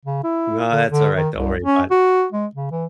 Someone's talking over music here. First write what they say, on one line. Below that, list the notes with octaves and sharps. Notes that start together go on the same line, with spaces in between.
No, that's alright. Don't worry about it.
C#3
E4
D3
D3
D#3
C2
C#4
F#4
G#3
C#3
E3